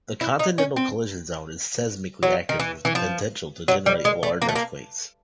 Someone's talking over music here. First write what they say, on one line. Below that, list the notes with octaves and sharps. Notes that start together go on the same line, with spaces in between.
The continental collision zone is seismically active with the potential to generate large earthquakes.
E4
D#4
C#4
C4
F#3
D#3
E3
E3
F3
F#3
G3
G#3
A3
A#3
A3
A#3